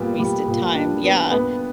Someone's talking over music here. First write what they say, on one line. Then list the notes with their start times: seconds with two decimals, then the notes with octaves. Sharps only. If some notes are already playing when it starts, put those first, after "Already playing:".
wasted time yeah
Already playing: A#2 G3 B3
0.19 G3
0.47 A#2
0.75 D4
1.04 B3
1.31 B3